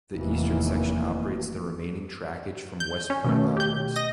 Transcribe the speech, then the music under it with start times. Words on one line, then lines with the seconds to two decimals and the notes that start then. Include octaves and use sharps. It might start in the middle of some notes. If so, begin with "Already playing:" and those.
The eastern section operates the remaining trackage from West Point onwards.
0.13 F1 E2 D#3 E3 A#3
2.80 G6
3.10 C#4
3.24 B2 D#3 A3
3.57 G4 G6
3.96 D#5 A#6